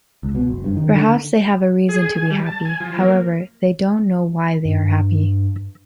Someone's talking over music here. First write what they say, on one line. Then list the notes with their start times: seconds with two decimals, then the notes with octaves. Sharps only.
Perhaps they have a reason to be happy; however, they don’t know why they are happy.
0.23 C#2
0.35 B2
0.50 F#1
0.64 G2
0.77 D#3
0.95 D3
1.89 G#4
2.11 G#5
2.30 G3
2.46 A5
2.65 G#5
2.80 F3
3.00 A#3
4.65 G2